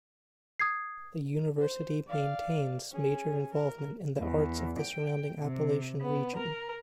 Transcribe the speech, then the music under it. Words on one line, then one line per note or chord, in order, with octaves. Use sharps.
The university maintains major involvement in the arts of the surrounding Appalachian region.
D#6 G#6 C7
C5
D5 F5
C#4 G#4
A#4
E2
G5
C3
B3
A#4